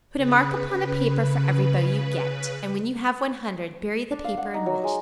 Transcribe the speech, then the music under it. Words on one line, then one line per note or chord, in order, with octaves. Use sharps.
Put a mark upon a paper for every bow you get, and when you have one hundred bury the paper and wish.
C#3 B4
D4
F5
F#5
D#4
F#3
G#3